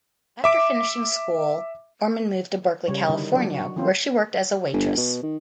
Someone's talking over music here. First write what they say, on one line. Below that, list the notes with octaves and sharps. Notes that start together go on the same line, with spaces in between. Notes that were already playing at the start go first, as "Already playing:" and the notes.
After finishing school, Orman moved to Berkeley, California, where she worked as a waitress.
E5 D6 D7
C#3 G3 C#5
D3 D#3 G3 D#4 E4
F#3 D4
F#4
E3 A#3 C4 C#4 F4 C5
G1
B2
D#3